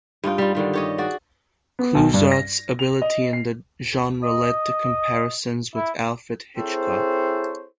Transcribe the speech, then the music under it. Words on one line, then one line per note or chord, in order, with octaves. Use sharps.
Clouzot's ability in the genre led to comparisons with Alfred Hitchcock.
G2 D#4 F4 G5
G3 F4
D3 D#3 G3
G4 C#5 D#5
F#4 G#4 D5
B3
B1
G2
A#6
F7
D#5
C7
D#5
E4
C4 E4 G#4 A4 C5 C#5